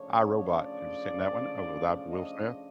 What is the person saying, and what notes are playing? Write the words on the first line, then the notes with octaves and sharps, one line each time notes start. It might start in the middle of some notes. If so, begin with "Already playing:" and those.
I, Robot, have you seen that one? Oh, with, ah, Will Smith?
Already playing: C#3 F3 A3 D4 C#5
D5
D#5